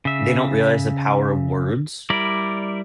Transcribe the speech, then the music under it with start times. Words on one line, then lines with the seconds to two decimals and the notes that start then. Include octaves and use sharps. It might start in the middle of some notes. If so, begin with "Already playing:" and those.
they don't realize the power of words,
0.05 C#3 E5
2.10 G3 E4 A#4 D5